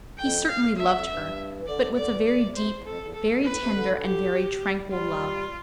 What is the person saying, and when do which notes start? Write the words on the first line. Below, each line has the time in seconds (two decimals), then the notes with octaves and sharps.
He certainly loved her, but with a very deep, very tender and very tranquil love.
0.18 F2 G5
0.47 G2 F5
0.57 A2
0.62 E2
0.67 F2
0.77 G2 E5
0.92 F2
1.07 G2
1.58 E3
1.66 D3 D5
1.85 C3
1.96 D3 D5
2.11 E3
2.25 E3 D5
2.40 C3
2.55 C3 C5
2.70 E2
2.84 F2 A4
3.00 E2
3.14 A4
3.29 F2
3.43 A2 B4
3.59 C3
3.73 D3
4.03 G4
4.63 G3
4.92 G3 F4